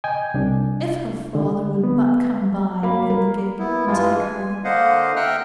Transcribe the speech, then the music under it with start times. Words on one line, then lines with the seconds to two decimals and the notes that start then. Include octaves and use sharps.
If her father would but come by in the gig and take her up!
0.04 D#5 G5 G#5
0.34 C2 D4
1.35 D3
1.84 B3
2.82 F#3 A#3 B5
3.10 A#4
3.59 B3 E4
3.86 G2 E3 G#3 F4
4.21 G#5
4.64 D3 A#3 C5 D#5 F5 F#5
5.16 E5 F#5 G5 A#5 F6 F#6